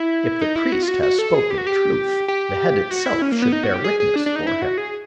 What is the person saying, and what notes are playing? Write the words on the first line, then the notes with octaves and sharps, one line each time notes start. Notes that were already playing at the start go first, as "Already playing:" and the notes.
If the priest has spoken truth, the head itself should bear witness for him...
Already playing: E4
D#4
E4
F#4
F4
F#4
F#4
A4
G#4
G4
F#4
G4
G4
F#4
E4
C#4
A#3
B3
D#4
F#4
G4
G#4
G#4
D4
D4
D#4
E4
F#4
G#4